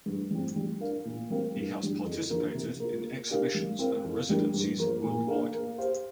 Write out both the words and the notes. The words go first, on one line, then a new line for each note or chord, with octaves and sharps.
He has participated in exhibitions and residencies worldwide.
G2
G3 C4
G3
D4 A#4 F5
A#2
G3 C4 A#4 F5
G2
D3 G3
F2
D3 F3 A#3 F4
C3
A#3 F4
A#3
D4 G4 A#4 F5
G3
C4 A#4 F5
F2
D3 G3 A#3
G2
F3 A#3
A#2
A#3 D4 A#4 F5
A#3
G4 C5 F5